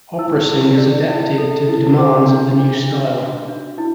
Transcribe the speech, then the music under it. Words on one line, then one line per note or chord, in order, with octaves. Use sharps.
Opera singers adapted to the demands of the new style.
E4 E6
E4
D5
E4
A4
E4
C5 D6
D4
D4
D4
F#4
D4
E4